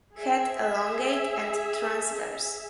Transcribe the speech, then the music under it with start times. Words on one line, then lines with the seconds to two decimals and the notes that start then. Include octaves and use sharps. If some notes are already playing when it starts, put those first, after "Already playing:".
Head elongate and transverse.
0.15 G#4 E5